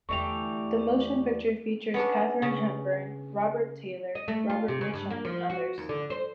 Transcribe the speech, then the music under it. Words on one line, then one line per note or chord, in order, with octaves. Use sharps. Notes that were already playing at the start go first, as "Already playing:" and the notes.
The motion picture features Katharine Hepburn, Robert Taylor, Robert Mitchum, and others.
E2 D3 E3 A3 G4 C#6 F7
B3 C#4 D4
C#3
D#5
A3
F4
C3
C#3
G2
A#3
F3
F#4
D#2
D3
C5